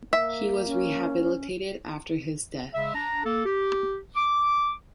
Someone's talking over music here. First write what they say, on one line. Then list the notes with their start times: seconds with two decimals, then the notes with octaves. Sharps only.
He was rehabilitated after his death.
0.13 A#3 E5
0.67 C#4
2.72 C#3 G#3 E5
2.94 D4 A#5
3.24 A#3 A4
3.45 G4
4.16 D6